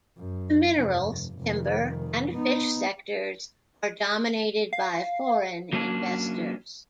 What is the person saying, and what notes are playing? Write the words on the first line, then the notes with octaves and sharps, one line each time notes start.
The minerals, timber, and fish sectors are dominated by foreign investors.
F#2
F1 G2
F1 D#3
B3 D#4
F5
F#3 A#3 C#4 D4